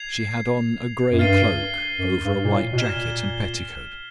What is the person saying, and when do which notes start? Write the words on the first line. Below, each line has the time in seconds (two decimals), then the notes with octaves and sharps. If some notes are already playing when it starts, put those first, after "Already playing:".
She had on a grey cloak over a white jacket and petticoat.
Already playing: G#6 C7 F7
1.12 F#2
1.19 G2 F6 A6 C7 D#7 G7
1.98 F#2
2.25 G2
2.44 A#2
2.51 A2
2.73 B2
2.78 A#2 F6 G#6 B6 E7 G7